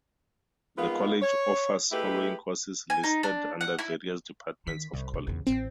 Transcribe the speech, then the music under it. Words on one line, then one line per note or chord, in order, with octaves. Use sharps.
The college offers following courses listed under various departments of college.
G#3 A#3 B3 D#4 F4
C#5
A3 D#4 E4 G4 G#4 B4
G#5
D#4
D4
F#5
E4
D#3 B6
C2 C#3
C3
E2 C#3
A1 E3 C4